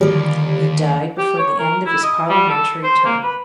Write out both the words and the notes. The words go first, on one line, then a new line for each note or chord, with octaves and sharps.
He died before the end of his parliamentary term.
D#2 D3 F3 G3 D5
G4
C#5
A#4
E4
D#5
G3
A4
C5
A#3
B4